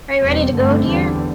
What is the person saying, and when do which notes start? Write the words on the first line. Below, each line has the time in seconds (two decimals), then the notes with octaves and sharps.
Are you ready to go, dear?
0.20 E2 B2 G3 C4
0.53 G2 D3 A3 C4
0.85 E2 D3 G3